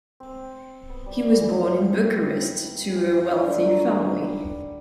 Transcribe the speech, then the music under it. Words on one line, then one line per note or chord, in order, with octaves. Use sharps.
He was born in Bucharest to a wealthy family.
C4
B3
G3
E3
E3
E3
D3
D3
F#3
G3